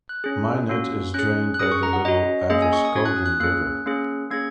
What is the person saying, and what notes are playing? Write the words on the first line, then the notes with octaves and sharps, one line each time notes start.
Minot is drained by the Little Androscoggin River.
F#6
C#4 G#4
A#3 C#4 F#4
C#4 G#4 F#6
F#6
C#4 G#4 D#6
C#6
A#5
F#5
C#4 F#4 D#5
A#3 C#4 G#4 D#5
G#5
C#6
D#6
C#4 F#4 G#6
F#6
D#6
F#6
A#3 C#4 G#4 F#6
A#3 C#4 G#4
A#3 C#4 G#4 G#6